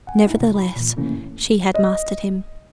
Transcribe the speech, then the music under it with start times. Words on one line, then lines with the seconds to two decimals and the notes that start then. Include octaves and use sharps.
Nevertheless she had mastered him.
0.07 F#5 G#5
0.24 A3 D#4 E4
0.40 C3 E4
0.54 B5
0.76 A#2 E3
0.97 C3 E3 A3 A#3 C#4 E4
1.74 D#5